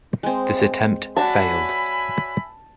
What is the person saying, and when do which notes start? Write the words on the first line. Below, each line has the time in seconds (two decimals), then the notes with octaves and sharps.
This attempt failed.
0.23 G#3 C4
1.17 D4 F#4 C#5 E5 G#5 A5 B5